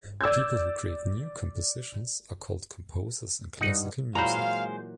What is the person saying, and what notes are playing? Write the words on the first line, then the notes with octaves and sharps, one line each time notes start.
People who create new compositions are called composers in classical music.
D5 E6 G6 G#6
G2 D#4 F#5
A#2 E3 F#3 G#3 C5 F5 A#5 B5